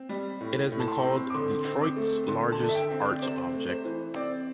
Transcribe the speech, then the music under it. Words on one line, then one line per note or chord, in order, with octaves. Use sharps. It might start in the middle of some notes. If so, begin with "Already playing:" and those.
It has been called "Detroit's largest art object".
Already playing: C4
G3
A2
A2
A5
C6
C4
D6
D3 C6
C4
D6
A3
D3 C6
A5
D3
E5
G5
C4
D5
D5
C3 C5
A3
C5
E3
C4 D5